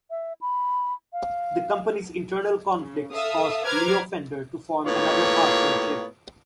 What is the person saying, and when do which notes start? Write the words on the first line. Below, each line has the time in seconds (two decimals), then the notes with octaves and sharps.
The company's internal conflicts caused Leo Fender to form another partnership.
0.10 E5
0.41 B5
1.13 F5
2.79 C#3
3.13 A4 E5 F5 D#6
3.67 B4 C5 A#5 D6 F6 G#6
4.85 A2 A#3 B3 F4 G4 C#5